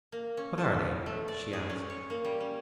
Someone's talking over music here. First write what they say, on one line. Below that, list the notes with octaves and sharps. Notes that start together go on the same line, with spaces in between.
"What are they?" she asked.
A#3
C#4
A4
A3
D5
G#4
C#4
C#5
A#3
G3
C#4